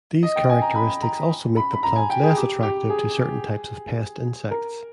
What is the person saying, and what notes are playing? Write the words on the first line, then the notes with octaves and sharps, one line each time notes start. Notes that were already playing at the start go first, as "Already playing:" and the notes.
These characteristics also make the plant less attractive to certain types of pest insects.
D#5
G5
G#5
A#5
B5
A#5
B5
B5
A#5
G#5
G5
G#4
G4
G4
G#4
A#4